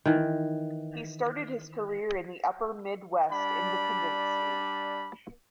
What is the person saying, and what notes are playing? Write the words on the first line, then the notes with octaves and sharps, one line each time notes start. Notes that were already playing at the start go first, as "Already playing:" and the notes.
He started his career in the upper midwest independent scene.
D#3 E3
G3 D4 B5